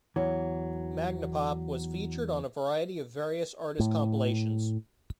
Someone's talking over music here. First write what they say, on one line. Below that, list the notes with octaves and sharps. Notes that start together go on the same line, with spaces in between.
Magnapop was featured on a variety of various artist compilations.
E2 E3 F#3
A2